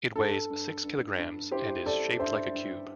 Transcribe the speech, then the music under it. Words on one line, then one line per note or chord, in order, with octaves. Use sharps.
It weighs six kilograms and is shaped like a cube.
G2 A4
G2
G2
G2
E4 G4 C5
E4 A4 D5
G2 C5 E5
G2